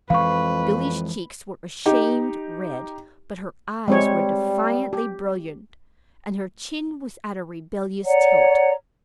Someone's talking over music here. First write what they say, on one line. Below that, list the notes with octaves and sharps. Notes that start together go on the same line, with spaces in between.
Billy's cheeks were a shamed red, but her eyes were defiantly brilliant, and her chin was at a rebellious tilt.
F2 E3 F3 G#3 B4 F5 C#6
D#4 G4
G3 G#3 C4 C#5
G4
C#5 D5 F#5 A#5